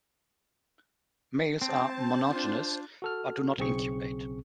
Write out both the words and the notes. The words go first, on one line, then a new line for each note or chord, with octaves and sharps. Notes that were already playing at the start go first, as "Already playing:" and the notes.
Males are monogynous but do not incubate.
C4 C5 A5
D4 F4
F#4 A4 F6
B1 C#3 C4 G#4 C#6 C#7